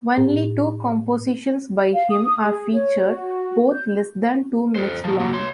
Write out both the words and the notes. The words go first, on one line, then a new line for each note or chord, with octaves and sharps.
Only two compositions by him are featured, both less than two minutes long.
A2
F5
D#6
G#4
C#5
F#4
G6
A4 C5
A2 F3
A#3 F#4
C#5 C6